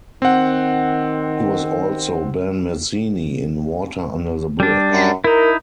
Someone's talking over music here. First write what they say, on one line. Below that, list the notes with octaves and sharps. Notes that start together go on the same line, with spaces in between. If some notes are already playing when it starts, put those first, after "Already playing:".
He was also Ben Mazzini in "Water Under The Bridge".
D#3 C4 F#5
G3 D4
F#2
D#4 E4 A#4